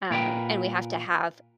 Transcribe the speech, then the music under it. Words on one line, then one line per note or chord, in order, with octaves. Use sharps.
um, and we have to have
A#2 A#4 B4 G5